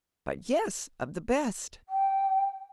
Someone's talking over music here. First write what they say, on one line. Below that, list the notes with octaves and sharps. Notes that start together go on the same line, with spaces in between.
'But yes, of the best!'
G5